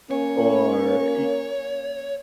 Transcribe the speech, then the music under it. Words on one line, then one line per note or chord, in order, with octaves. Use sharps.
Or y
A#3 C#4 C#5